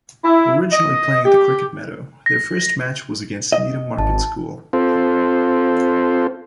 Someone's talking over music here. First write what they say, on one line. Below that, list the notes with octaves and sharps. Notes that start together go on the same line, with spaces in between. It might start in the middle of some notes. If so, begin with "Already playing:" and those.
Originally playing at the Cricket Meadow, their first match was against Needham Market School.
E4
D#5
G4
A#6
D#5
G#1 A5
C4 F4 A4 C5